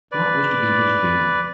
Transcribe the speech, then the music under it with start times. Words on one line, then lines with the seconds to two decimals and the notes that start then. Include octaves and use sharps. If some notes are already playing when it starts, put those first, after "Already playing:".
What was to be his doom?
0.12 B4 D5